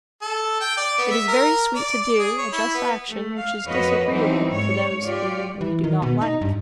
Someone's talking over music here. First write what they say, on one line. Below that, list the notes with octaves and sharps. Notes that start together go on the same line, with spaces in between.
It is very sweet to do a just action which is disagreeable to those whom we do not like.
A4
G5
D5
B3
E5
A#4
D5
D5
G#4
C#5
E4
B3
A3
F5
F2 A#3 F#4 B4 C#5 D#5
E3 F#3 G3 B3 C4 D#4
G#2 C#5
F4 G4 C#5 D5
E3
D#3
B2
D#4
G2